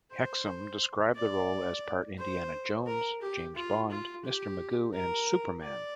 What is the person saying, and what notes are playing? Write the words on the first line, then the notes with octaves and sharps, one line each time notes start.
Hexum described the role as part Indiana Jones, James Bond, Mr. Magoo, and Superman.
C5
D5
C5
A#4
G4
F4
F4
G4
A#4
D5